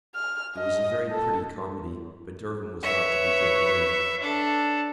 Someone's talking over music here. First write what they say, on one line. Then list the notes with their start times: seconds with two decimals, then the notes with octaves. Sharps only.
It was a very pretty comedy, but Durham was not to be taken in.
0.15 F6
0.56 D#5
1.11 A4
2.83 B4 C#5 E5
4.21 D4 A4